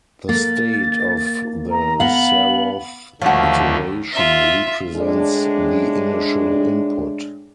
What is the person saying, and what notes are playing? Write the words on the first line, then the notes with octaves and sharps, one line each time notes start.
The state of the zeroth iteration represents the initial input.
A#3 A6
A#5
B3 F5 F#7
D#2 D3 F3 A3 F#4
F4 E5
A2 G#3 D4